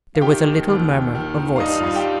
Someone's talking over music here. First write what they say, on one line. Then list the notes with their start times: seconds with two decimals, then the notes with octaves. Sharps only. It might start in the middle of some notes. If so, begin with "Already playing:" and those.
There was a little murmur of voices.
0.15 F5
0.21 D#3 G4 G5
0.44 D#2
0.68 D#2
0.92 D#3
1.15 D#3
1.38 D#3
1.56 F5
1.60 G2 D#4 D#5
1.77 F4 F5
1.83 G2
1.95 G4 G5